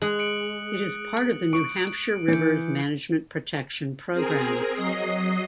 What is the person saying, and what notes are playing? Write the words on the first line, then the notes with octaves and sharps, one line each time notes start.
It is part of the New Hampshire Rivers Management Protection Program.
G#3 D#6 F#6 F#7
C#7 D7 F#7
C#6 D7
E3 G6 C#7 D7
C4 G#4 A#4
F#3 D#5 D#6 C7